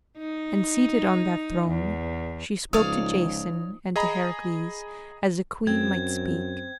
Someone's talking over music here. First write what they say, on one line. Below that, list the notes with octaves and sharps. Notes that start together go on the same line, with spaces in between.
And seated on that throne she spoke to Jason and to Heracles as a queen might speak.
D#4
E2
C#2 F3 D#4 C#5 D5 F5 D#6
G#4 D#5 A#5 B5
F#2 C4 G#6